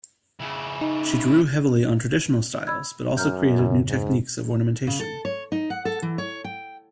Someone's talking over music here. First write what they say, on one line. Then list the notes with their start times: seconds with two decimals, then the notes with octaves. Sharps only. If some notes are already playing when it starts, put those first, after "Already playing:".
She drew heavily on traditional styles, but also created new techniques of ornamentation.
0.40 C#3 E4
0.81 D#4
2.67 B5 E6 G#6
3.17 F#2 A#5 F6 G6
3.58 E2 G2 C#3
3.89 G#2
4.87 C#3
5.00 A4
5.25 C#5
5.52 D#4
5.70 F#5
5.85 A4
6.02 E3
6.18 C#5
6.44 G5